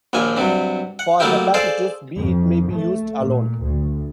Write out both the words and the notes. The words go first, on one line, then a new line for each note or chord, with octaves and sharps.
For hepatitis B it may be used alone.
A#1 D#2 F3 G#5
G2 C3 F#3
F#5
F#3 A3 A#3 D#4 E4 G4
G#4 A4 C5 D5 F5
F2
A3
A#2
D2